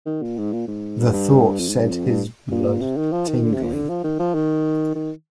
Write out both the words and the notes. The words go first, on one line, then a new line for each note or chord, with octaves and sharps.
The thought set his blood tingling.
D#3
A#2
G#2
A#2
G#2
G2
G2
F2
G#2
G2
F2
G2
A#2
C3
D#3
F3
D#3
D3
C3
A#2
D3
F3
D#3
F3
D#3
D#3